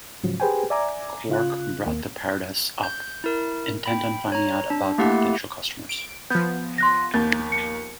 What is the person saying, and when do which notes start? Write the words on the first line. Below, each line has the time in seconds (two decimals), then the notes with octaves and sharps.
Quark brought the Paradas up, intent on finding out about the potential customers.
0.23 G#2 C#3 F3 F#3
0.40 G4 G#4 B4 C5 G5 G#5
0.70 D5 E5 G#5 A#5 D6
1.29 C#3 F4 F#6
1.86 D#2 A#3
2.83 G6
3.24 E4 A#4
3.86 G5 B5
4.32 C#5 A#5
4.70 D4
4.98 A3 A#3 E4 G4 F#5
5.89 D7
6.30 F3 B3 G6
6.78 C6 F#6 A#6
7.14 D#2 A#3 G6 A6
7.52 C#7